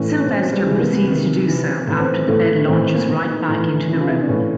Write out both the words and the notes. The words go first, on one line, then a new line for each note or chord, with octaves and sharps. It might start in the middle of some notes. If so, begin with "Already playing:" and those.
Sylvester proceeds to do so after the bed launches right back into the room.
Already playing: A2 E3 C#4
C#4
A#2 C4
F#3
G3
C3 E3 G#3
A#3
B3
C3 D#3
C3 E3
A2 E3 B3
C4
B3
A2 E3 A3
A2 E3 C4
A#3
A#2 B3
D#4
A2 E3
C3 E3
F4
E4
D#4
D4
A2 E3 C#4